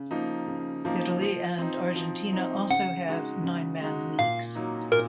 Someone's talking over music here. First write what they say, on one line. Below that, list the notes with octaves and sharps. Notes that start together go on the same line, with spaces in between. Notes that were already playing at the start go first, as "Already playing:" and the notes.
Italy and Argentina also have nine-man leagues.
Already playing: C#3
F3 A#3 D#4
C#3
F3 A#3 D#4
F3
C4 D#4
F3
C4 D#4
C#3 F#5
G#3 D#4 F#4
C#3
G#3 D#4 F#4
A#2 F5
F#3 A#3 D#4
A#2 A#4